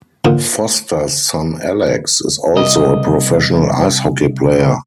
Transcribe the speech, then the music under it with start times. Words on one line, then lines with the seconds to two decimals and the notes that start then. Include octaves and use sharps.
Foster's son Alex is also a professional ice hockey player.
0.25 A#2 D3 C5 D#6
2.54 C2 D#5